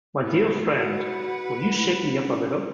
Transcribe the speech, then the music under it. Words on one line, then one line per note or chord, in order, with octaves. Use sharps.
My dear friend, will you shake me up a little?
A2 B3 E4
F#4 B4 F#5
E4
C#4